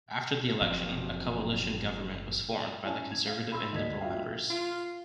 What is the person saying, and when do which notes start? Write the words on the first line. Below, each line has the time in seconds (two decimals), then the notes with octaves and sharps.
After the election, a Coalition government was formed by the Conservative and Liberal members.
0.61 F#1 F3 F#3 C4
2.84 C#4 E4 G#5 A5
3.11 G#6
3.27 F5
3.52 B5 C6 E6
3.73 D2 A#3 D#5 G#6 B6
4.00 F4 F#4 E5 F5 G5
4.50 F4